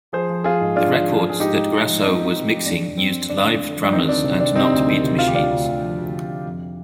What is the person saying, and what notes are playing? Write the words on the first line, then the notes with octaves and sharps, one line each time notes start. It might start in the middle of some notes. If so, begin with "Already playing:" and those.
The records that Grasso was mixing used live drummers and not beat machines.
F3 G#4 C5
F3
F3 F4 G#4
G#2
F3 D4 F4
F3
F3
F3
G#4
G#2 D#4 G4
G#2
G#2
F3
F3 C4 D#4
F3
F3
F3
F2 D4
F2
F2 C4
F2
D3 D4
D3
D3
F3
D4
D#3 C4 D#4
D2 D4
C3 C4
C3 D4
G3 C4 D#4
D2
D#3
C3
D2 F4
G4
D3 D4 F4
D2
D2
F3
D2
D2
D3
F2